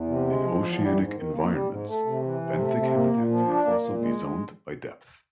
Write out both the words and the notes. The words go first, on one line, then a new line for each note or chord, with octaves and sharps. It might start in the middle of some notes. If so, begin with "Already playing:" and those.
In oceanic environments, benthic habitats can also be zoned by depth.
Already playing: E2
C3
G#3
F3
E2
G3
G#2
D#3
A#3
G3
G#2
A3
C3
E3
C3
A3
C3
A#3
A#2
F3
D4
A#3
A#2
G#3